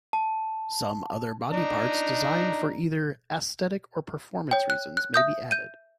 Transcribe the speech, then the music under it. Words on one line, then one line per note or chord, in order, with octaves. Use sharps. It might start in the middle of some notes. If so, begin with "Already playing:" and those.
Some other body parts, designed for either aesthetic or performance reasons may be added.
A5
D4 D#4 A#5
C#5 G5
F#6
F#6
E5 D#6 G6
G6 D#7